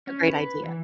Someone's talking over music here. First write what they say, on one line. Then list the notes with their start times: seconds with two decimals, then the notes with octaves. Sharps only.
a great idea.
0.07 C#4
0.30 B4
0.64 E3